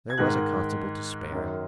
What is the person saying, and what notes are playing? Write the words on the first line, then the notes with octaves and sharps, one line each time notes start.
There was a constable to spare.
G#6
G#2 D#3 F#6
F#2 D#3